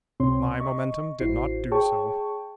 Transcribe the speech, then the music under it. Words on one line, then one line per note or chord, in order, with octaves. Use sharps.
My momentum did not do so.
C#2 C3 C4 C#5 C6
D#5 C#6
A1 E4 F#4 C5 C7
G#4 C#5 G5 A5 C#6